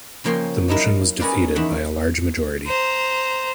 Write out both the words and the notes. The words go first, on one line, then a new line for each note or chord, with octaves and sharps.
The motion was defeated by a large majority.
C#3 F3 A#3 C#5 G5 C6
F#3 D#4 E4 A#4
C#4 G#4 A#4 B4 D5 F5
E2 D#3 E5 F#5
C5 A#5